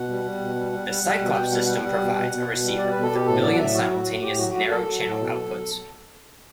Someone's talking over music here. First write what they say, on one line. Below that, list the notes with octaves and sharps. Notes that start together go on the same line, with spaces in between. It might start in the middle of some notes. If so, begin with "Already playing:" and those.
The Cyclops system provides a receiver with a billion simultaneous narrow channel outputs.
Already playing: B2 F#5
G3
G3
B2
G3
G3
G3
G3
B2
B2 G5
G3 F#5
G3 F#5
G3
B2
B2
B2
B2
G3
B2 D5
B2 B4
A4
B2 G4
A2 A4
F#3 D5
F#5
A2 E5
F#3 F#4
A2
A2
A2 G4
F#3 F#4
F#3 F#4
F#3 A4
F#3
A2
B2
F#3